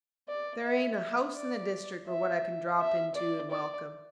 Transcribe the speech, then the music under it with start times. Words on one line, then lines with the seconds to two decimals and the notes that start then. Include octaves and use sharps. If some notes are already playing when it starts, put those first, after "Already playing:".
There ain't a house in the district but what I can drop into and welcome.
0.28 D5
0.64 E5
1.36 D5
2.07 E5
2.79 E5
3.15 D5
3.51 D5